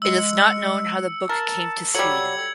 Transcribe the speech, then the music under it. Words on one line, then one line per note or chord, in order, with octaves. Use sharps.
It is not known how the book came to Sweden.
G#3 E6 C#7
A#4 A5
F#3 G3 A4 G#6 C#7 F#7